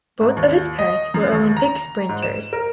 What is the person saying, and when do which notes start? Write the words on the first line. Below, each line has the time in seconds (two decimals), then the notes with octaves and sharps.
Both of his parents were Olympic sprinters.
0.21 G#2
0.37 D#2
0.79 D#5
1.14 F#2
1.32 D#2
1.57 A#5
2.09 G#2
2.23 E7
2.53 A#4